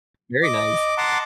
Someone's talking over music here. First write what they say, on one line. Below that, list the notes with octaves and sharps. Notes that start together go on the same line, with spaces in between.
Very nice.
D#5 D6
F#5 A5 A#5 C6 D6